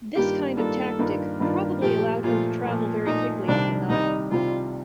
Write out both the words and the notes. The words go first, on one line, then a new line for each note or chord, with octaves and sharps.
This kind of tactic probably allowed him to travel very quickly up the Nile.
G2 D#3 A#3 D4 F4 G4
G2 D#3 A#3 D4 F4 A4
G2 D#3 A#3 D4 F4
G2 D#3 A#3 D4 F4
A#2 F3 A3 G4
A#2 F3 A3 F4
A#2 F3 A3
A#2 F3 A3 D#4
C2 C3 D#3 G3 C4 D4
C2 C3 D#3 G3 C4 D#4
C2 C3 D#3 G3 C4 F4